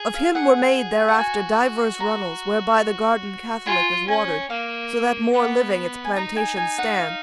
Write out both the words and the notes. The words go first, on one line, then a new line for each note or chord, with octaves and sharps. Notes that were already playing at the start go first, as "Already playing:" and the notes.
Of him were made thereafter divers runnels, Whereby the garden catholic is watered, So that more living its plantations stand.
Already playing: G#4
F5
G#4 F#5
F#5
F#4 G#5
A#5
F4 G#5
C#4 G#5
A#3 F5
B3 F#5
G#5
D#4 A#5
G#5
G#5
F#5
F5